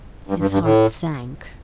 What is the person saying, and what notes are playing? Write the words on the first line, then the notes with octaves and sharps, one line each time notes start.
His heart sank.
G2
G2
G2
A2